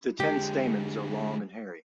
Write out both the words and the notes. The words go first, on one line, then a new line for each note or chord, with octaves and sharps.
The ten stamens are long and hairy.
D3 G#3 G4